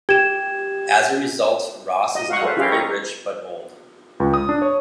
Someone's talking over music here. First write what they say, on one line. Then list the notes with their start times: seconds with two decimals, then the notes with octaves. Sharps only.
As a result, Ross is now very rich but old.
0.09 G4 G#6 E7
2.15 D#5
2.28 F#4 F5 F#5 C#6
2.42 G#4 A4 B4 C5 F5
2.57 C#4 E4 G4 G#4 F5 G5
2.72 G4 A#4 D#5 A#5 C#6
4.20 C#2
4.34 D#6
4.49 D4
4.62 C#5